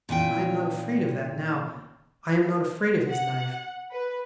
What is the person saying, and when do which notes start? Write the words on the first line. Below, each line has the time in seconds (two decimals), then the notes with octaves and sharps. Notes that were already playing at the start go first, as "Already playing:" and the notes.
But I am not afraid of that now, I am not afraid of his knife.
0.09 A#2 E3 C#4 G5
3.09 F#5
3.90 B4